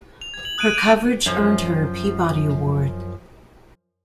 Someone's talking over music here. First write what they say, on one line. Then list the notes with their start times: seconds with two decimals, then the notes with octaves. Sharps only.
Her coverage earned her a Peabody Award.
0.21 F7
0.34 G#6
0.45 F#7
0.58 D#6 F#6 G#6 D7 D#7
0.74 D6 G6 D7 D#7 F7
1.26 F#2 F3